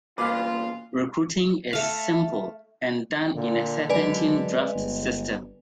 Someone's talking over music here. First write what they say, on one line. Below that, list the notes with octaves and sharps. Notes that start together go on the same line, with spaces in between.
Recruiting is simple and done in a serpentine draft system.
E2 A#2 F4 B4 F5 D6
A3 F5
A#2 D3
F#2 G#3 B4 D5 G#5
G1